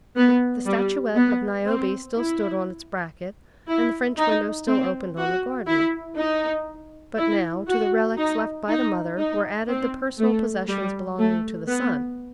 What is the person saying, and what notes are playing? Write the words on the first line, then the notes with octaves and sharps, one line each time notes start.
The statuette of Niobe still stood on its bracket, and the French window still opened on the garden. But now, to the relics left by the mother, were added the personal possessions belonging to the son.
B3
G3
B3
C4
E4
E4
D#4
C4
F#4
E4
D#4
E4
F#4
D#4
D#4
D#4
C4
A3
G3
A3
B3